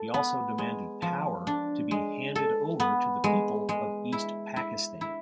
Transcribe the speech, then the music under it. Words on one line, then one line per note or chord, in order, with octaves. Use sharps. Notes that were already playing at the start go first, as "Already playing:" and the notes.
He also demanded power to be handed over to the people of East Pakistan.
Already playing: A4
B3
G#3
F3
D4
G#3
A4
B3
G#3
G#3
E4
E4
E4